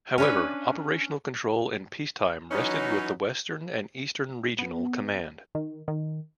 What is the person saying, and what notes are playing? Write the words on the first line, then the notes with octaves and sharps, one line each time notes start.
However operational control in peacetime rested with the Western and the Eastern Regional Command.
C#4 D4 B4
E3 F#3 C#4 D#4
B3
D#3
D#3